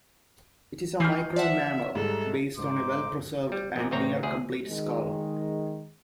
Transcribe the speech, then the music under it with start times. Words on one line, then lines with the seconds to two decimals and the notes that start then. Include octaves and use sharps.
It is a micro-mammal, based on a well-preserved and near complete skull.
1.00 E3 F6 G6 C7
1.36 D5 E5 F#5
1.95 G#2 G3 G#3 A4
2.58 C#2 G#2 D3 D#4 C5 D6
3.52 G3
3.76 A#1 A#2
3.91 A1 D2 C4 C#5 A#5
4.23 D2 G#4
4.68 D#3 G#3